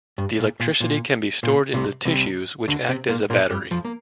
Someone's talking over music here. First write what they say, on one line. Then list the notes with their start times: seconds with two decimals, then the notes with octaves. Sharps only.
The electricity can be stored in the tissues, which act as a battery.
0.18 G2
0.39 A#2
0.60 A#2
0.81 A#2
1.43 A#2
1.74 C2 C3
2.05 C2 C3
2.68 D2 D3
2.89 C3 C4
3.09 A#2 A#3
3.30 A#2 A#3
3.50 G2 G3
3.71 F2 F3
3.85 A#3